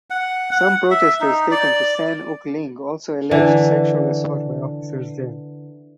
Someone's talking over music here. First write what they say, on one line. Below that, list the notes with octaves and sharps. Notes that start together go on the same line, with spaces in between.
Some protesters taken to San Uk Ling also alleged sexual assault by officers there.
F#5
F#5
E5
D#4
D5
D3 E3